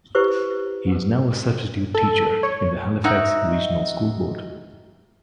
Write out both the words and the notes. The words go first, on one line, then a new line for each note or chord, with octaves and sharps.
He is now a substitute teacher in the Halifax Regional School Board.
E4 G4 B4 C5 C#6
A4
C#5
D#4 F#4 E5